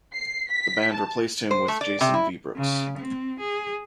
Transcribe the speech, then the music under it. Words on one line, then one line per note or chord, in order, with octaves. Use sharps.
The band replaced him with Jason Viebrooks.
C7
B6
A5
C5
A3
D5
C3
E4
C#3
C4
G#4